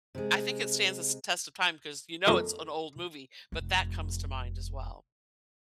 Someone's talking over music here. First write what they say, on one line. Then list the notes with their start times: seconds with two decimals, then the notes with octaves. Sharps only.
I think it stands the s test of time 'cause you know it's an old movie, but that comes to mind as well.
0.15 C3 G#3
2.27 F2 F3 A#3 G#4
3.52 F1 F2